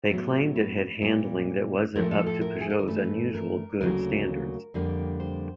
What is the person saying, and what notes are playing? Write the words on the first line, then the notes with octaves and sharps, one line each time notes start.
They claimed it had handling that wasn't up to Peugeot's usual "good" standards.
A2 F#3 B3
B4
A#2 G3 B3
A2 F3 A3 A#4
A4
A4
A#4
G#4
A4
A#4
G2 E3 A3 B4
A#4
D2 C#3 F#3 A#3 A#4
F2 D3 G3 A#3
C5